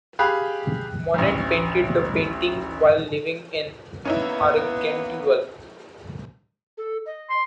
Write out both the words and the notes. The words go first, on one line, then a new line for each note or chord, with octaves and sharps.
Monet painted the painting while living in Argenteuil.
G4 G#4 F5 B5 F#6
A1 D2
A#3 B3 C#4 D#4 E4
A4
D#5
C6